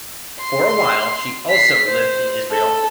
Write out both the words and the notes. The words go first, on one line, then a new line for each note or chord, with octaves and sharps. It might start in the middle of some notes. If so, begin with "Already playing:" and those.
For a while, she also lived in Israel.
C6
B6 C7
C5
A4